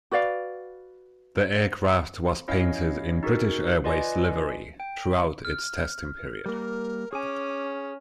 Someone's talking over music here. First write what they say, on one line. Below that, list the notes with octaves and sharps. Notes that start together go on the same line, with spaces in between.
The aircraft was painted in British Airways livery throughout its testing period.
F#4 B4 D5 F5
C#4 E4 C#5 D#5 F5
D#4 F#4 G#4 A#4
F4 B4 D5 D#5 G#5
G5
F6
G3 A#3 A#4
C#4 G#4 G#5 D6